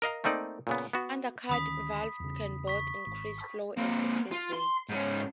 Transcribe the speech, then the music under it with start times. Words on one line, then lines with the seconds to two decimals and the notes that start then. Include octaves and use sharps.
Undercut valves can both increase flow and decrease weight.
0.02 A#4 D#5 F5 A#5
0.24 A3 A#3 C4 D#4 D5
0.67 A#2 C#3 B3
0.93 B3 F#4
1.49 D2 D#3 C#4 B5 D#6 B6
2.20 E2 C#3
2.67 C#6 B6
3.07 G#1
3.77 A#3 C4
4.31 F4
4.53 C6
4.89 G#2 C#4